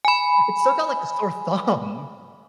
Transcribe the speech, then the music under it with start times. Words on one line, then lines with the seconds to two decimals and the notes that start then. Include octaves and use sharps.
It stuck out like a sore thumb.
0.05 G#5 B5